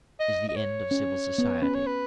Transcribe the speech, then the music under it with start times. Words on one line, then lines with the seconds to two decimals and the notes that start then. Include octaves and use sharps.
It is the end of civil society.
0.20 D#5
0.49 D#5
0.56 C#5
0.91 C#4
1.38 B3
1.62 C#4 B4
1.75 C#5
1.87 B4